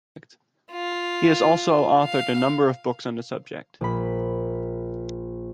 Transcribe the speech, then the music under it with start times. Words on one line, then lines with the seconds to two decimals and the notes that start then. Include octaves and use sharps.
He has also authored a number of books on the subject.
0.72 F4
2.01 F5
3.81 A#1 B5